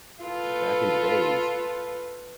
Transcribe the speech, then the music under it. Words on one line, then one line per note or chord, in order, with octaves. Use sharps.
back in the days,
F4 A4 B4